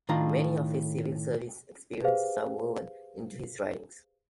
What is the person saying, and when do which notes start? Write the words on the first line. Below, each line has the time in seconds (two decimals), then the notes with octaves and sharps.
Many of his civil service experiences are woven into his writings.
0.09 A2 D#3 D4 F4 A#5
2.04 G4 G#4 B4 C5 F5